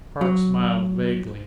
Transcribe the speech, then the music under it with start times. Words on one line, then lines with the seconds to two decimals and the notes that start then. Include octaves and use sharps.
Park smiled vaguely.
0.21 F#3